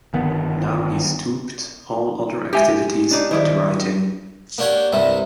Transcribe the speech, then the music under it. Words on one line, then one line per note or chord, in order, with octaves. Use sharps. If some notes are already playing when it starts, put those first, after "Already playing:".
Now he stooped all other activities but writing.
G1 D#3 B3
G#3 G4 E5 G#5 D6
D4 D#4 D5
G#2 D#3 E4 D5 D#5
A#3 D4 G4 C#5 F#5 G5
C2 G2 C3 E5